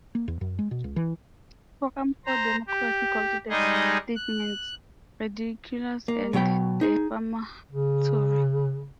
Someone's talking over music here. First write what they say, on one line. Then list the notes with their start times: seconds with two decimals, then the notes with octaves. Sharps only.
Forum for Democracy called the statements "ridiculous and defamatory".
0.15 A#3
0.28 E2
0.41 F#2
0.59 G#3
0.71 B2
0.84 C#2
0.96 E3
2.26 C5 A#5
2.67 G4
3.49 G3 G#3 D#4 G#4 D#5
4.16 F#6
6.08 A#3
6.33 B2 F#3 C#5 G5 B5
6.81 D#4 G#4
7.71 C#3